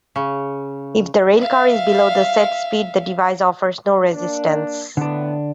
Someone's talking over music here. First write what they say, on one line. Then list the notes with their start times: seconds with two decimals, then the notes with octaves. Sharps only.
If the rail car is below the set speed, the device offers no resistance.
0.16 C#3
1.37 E5 F5
4.12 A#3 D4
4.97 A2 D3 B3 D4